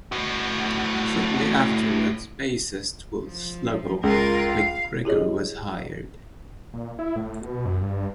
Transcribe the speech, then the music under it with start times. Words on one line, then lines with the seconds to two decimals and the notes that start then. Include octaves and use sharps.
Shortly afterwards, bassist Will "Sluggo" MacGregor was hired.
0.12 A2 F#4
3.24 F3
4.03 C#2 F4 A#4
4.52 F5
5.05 E4 G4 G#4 C#5 D#5
6.74 A#2
6.99 E4
7.16 A2
7.42 B2
7.65 F#2
7.81 G2